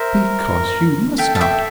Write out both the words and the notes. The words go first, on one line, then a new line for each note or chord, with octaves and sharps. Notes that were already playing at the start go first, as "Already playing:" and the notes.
'Because you must not.
Already playing: A#4 C5 E5
A4 E5 G5
A5
E5 G5